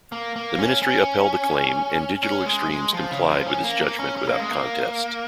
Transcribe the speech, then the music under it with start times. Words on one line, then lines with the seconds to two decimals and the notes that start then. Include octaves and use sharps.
The Ministry upheld the claim and Digital Extremes complied with its judgment without contest.
0.12 A#3
0.36 A#3
0.58 C#4
0.83 C#4
2.23 C#4
2.46 G#3
2.70 G#3
2.94 F3
3.11 C#3
3.29 F3
3.47 C#4
3.64 A#3
3.81 A#3
4.00 C#4
4.17 C#4
4.28 A#3
4.39 G#3
4.51 A#3